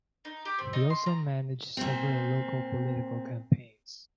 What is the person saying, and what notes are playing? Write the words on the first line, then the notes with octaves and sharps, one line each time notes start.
He also managed several local political campaigns.
D#4
G4
C4
D#4
C6
A#5
A#2 C4